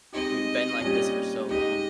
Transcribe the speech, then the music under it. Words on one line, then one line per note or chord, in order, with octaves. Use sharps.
We've been like this for so long.
G#3 C4 D#4 G4 D#5
A#2 G3 C#4 G4
G#3 D#4 G4 D#5